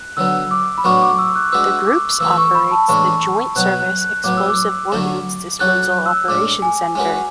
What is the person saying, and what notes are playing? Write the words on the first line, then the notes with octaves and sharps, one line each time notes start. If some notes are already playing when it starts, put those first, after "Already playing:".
The groups operates the Joint Service Explosive Ordnance Disposal Operations Centre.
Already playing: F#6
D3 F#3 B3 E6
D6
B5
A2 F#3 B3 D4 F#4 C#6
D6
E6
F#6
G#3 D4 F#4 B4 E6
D6
E3 A3 E4 B4 E6
C#6
B5
A5
A2 E3 G#3 D4 C#6
B2 F#3 B3 F#6
F#6
F#6
A2 F#3 B3 D6
E6
D6
D3 F#3 A3 C#4 E4
F#3 C#4 F#4 A4 F#6
F#6
E6
A2 G#3 D4 D6
G#5
G#3 C#4 F#4 B4 G#5